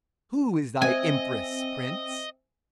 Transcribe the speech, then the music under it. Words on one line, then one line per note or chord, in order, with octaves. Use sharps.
Who is thy Empress, Prince?
C4 C5 D#5 E5 G#5